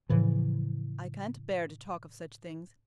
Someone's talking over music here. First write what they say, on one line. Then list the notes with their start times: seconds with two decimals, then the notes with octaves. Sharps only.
I can't bear to talk of such things.
0.09 A2 C#3 E3 F3